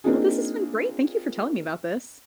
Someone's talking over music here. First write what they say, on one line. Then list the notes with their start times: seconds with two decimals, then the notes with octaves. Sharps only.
Well, this has been great. Thank you for telling me about this.
0.04 A#3 C4 D4 D#4 F4 G#4